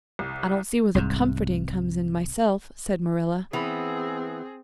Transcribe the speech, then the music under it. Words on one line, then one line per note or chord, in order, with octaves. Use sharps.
"I don't see where the comforting comes in myself," said Marilla.
C2
C2 G#2
E3 B3 C4 G#4